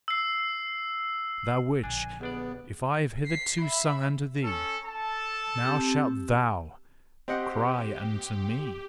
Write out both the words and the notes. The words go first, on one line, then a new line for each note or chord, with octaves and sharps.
Thou witch, if I have hitherto sung unto thee, now shalt THOU--cry unto me!
E6 C7
A#1 D3 D4 G#5
A1 B3 D4 G#4 D5
B6 C7
E5 B5
C#4 A4
A4 A5
C4 G4
C4 G4 D#5 F#5